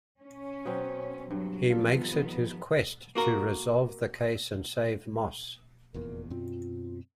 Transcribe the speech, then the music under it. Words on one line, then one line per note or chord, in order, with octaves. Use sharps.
He makes it his quest to resolve the case and save Moss.
C#4
B2 F#3 C4
G2 F#3
D#3 F3 B3 F4 A4
A#3 F#4 A#4
F1 E2 A#2 A#4
F#2 B2 C4 F4